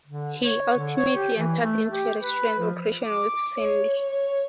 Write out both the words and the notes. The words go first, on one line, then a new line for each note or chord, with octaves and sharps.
He ultimately entered into a restaurant operation with Sandy.
D3
C#5
D3
C#5
G4
E3
A3
G4
B4
F3
D6
C#5
C#5